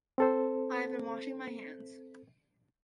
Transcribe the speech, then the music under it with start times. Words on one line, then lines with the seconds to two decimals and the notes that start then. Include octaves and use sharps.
I have been washing my hands.
0.18 C4 A4 C5